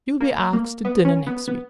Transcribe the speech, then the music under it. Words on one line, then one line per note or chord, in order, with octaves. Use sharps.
You'll be asked to dinner next week.
A#3
A#3
B3
C#4
B3
B3